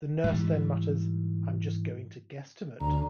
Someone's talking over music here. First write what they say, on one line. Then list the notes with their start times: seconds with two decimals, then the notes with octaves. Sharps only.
The nurse then mutters, I'm just going to guesstimate.
0.24 G#2 E3 G3
2.80 D2 A#5